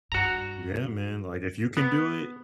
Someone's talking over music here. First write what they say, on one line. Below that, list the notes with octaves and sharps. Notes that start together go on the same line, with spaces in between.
Yeah, man. Like, if you can do it
G2 F#4 A#5
B3